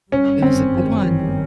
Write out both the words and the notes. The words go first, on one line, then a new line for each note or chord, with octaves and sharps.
It was a good one.
G1 F#2 D#3 G3 C#4
C4